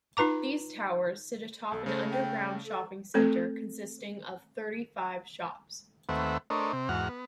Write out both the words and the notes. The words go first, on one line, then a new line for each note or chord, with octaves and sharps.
These towers sit atop an underground shopping centre consisting of thirty-five shops.
D#4 F4 B4 A#5 D6
B1 A4
C#3 A3 C5
G5
A4
A3 C4 A4
D#2 A3 C4 B4 E5 F#5
A3 D4 A#4 C5 C#5 D#5
C3 C4
E2 G#2 F#4 F#5 F6
B3